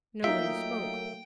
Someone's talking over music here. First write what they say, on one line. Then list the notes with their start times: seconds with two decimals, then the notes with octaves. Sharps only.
Nobody spoke.
0.24 F#3 A3 A#3 D#4 F4 E5 G5